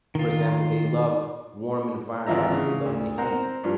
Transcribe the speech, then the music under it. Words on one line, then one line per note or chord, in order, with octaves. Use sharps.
for example, they love warm environments, they love the heat,
D#3 F4
G#1 D3 E3 F4 E5 A#5
C#3
D2
C4 A#4 C5 F#5 A#5
G2 F3 A#4